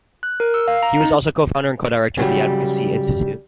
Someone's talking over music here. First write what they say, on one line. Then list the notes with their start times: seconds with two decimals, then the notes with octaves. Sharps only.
He was also co-founder and co-director of the Advocacy Institute.
0.23 F#6
0.40 A#4
0.54 E6
0.68 F5
0.83 A#5
1.01 D#4
2.17 C#3 F#3 G3